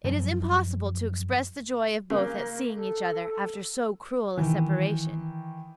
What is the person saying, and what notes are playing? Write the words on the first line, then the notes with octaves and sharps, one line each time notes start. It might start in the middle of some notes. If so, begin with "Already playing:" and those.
It is impossible to express the joy of both at seeing each other, after so cruel a separation.
F#2 F3 F#3
C#3 A#3
A4
D#3 E3